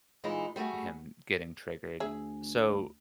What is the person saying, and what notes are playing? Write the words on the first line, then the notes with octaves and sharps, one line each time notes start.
him getting triggered so
A#2 E3 G#3 D#4 E4
G3 A3 D4 F#4 G#4
D2 G#4 E5